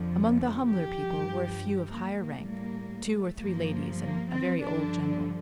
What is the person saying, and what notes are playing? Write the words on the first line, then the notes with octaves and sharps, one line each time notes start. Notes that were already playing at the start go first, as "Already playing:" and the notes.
Among the humbler people were a few of higher rank--two or three ladies and a very old general.
Already playing: F2 D3 F3
G4
G2 F3
A#3
A2 G3 A#3
A#3
A3
G2 F3 A#3
A#3
C4
G2 D3 F3 D4